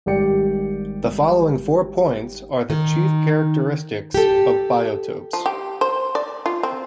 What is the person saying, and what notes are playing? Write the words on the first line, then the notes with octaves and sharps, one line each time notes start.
The following four points are the chief characteristics of biotopes.
G#1 G3 G4 D5 G5 C#7
D#3
G4 A4
F3
G4
C5
D5
F4
C4